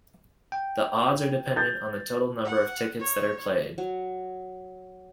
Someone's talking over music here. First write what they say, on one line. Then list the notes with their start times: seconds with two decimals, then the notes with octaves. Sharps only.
The odds are dependent on the total number of tickets that are played.
0.52 G5
1.56 G6 A6
2.45 F#5
2.99 C#5
3.78 F#3